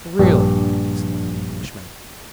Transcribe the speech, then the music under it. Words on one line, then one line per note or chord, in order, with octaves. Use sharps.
"Really!" exclaimed the Englishman.
A#1 G2 D4 G4